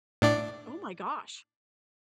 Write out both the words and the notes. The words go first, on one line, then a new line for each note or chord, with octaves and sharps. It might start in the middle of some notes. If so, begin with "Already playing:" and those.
Oh my gosh.
A2 D4 D5